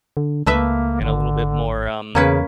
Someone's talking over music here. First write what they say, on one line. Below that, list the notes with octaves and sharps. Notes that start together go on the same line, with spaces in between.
and a little bit more, um,
D3
C#2 A3 A#3 B4 E5
G#1 D3
E2 C#3 A#3 C#4 B4